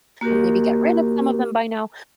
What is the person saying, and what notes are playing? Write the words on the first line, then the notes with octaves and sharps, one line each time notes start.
and maybe get rid of some of them by now,
A#3 F#4 G4 A#4